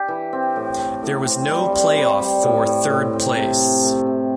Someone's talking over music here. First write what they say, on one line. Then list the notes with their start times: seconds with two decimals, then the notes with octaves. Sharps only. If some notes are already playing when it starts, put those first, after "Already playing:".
There was no playoff for third place.
Already playing: D4 G4
0.08 E3
0.33 C4
0.56 A2
0.79 A3
1.03 A2
1.26 C4
1.48 G3
1.72 G3
1.96 G3
2.20 G3
2.43 A2
2.65 A2
2.90 A2
3.13 C4
3.36 C3
3.60 A3
3.83 A3
4.06 C3